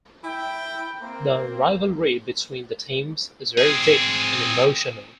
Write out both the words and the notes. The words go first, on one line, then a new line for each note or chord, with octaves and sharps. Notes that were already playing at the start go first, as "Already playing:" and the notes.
The rivalry between the teams is very deep and emotional.
E4 G5
A#3 C4
C4 G#4